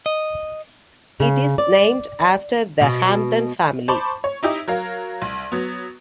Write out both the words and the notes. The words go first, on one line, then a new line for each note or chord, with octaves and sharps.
It is named after the Hampden family.
D#5
C#3
D5
B2
C5 A5 B5 C#6 D6
C#5
D#4 E4 G4 D#5
F#3 A#4 F5
C2
F#3 B3